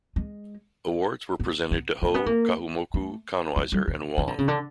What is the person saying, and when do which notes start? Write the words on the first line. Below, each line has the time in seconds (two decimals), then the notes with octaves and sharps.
Awards were presented to Ho, Kahumoku, Konwiser and Wong.
0.16 G#3
1.40 B3
1.71 B3
2.02 A#3
2.14 B3
2.26 A#3
2.94 A3
3.56 G#3
3.72 G3
3.88 D3
4.18 D#3
4.27 D3
4.38 C#3
4.48 D3